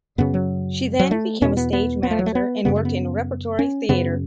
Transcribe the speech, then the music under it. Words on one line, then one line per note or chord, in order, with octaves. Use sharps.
She then became a stage manager and worked in repertory theatre.
F#2 C#3 B3
F#3
F#3
A3
E2 B2 C#4
B3
B3
B3
A3
F#3
A3
B3
F#2 C#3 B3
A3
B3
C#4
F#2 C#3 B3